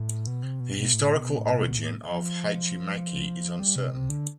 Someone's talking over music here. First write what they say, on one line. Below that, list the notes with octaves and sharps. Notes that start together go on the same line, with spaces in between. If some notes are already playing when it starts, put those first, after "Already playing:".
The historical origin of hachimaki is uncertain.
Already playing: A2
B2
C3
B2
B2
A2
B2
A2
B2
A2
F3
G3
C3
C3
D3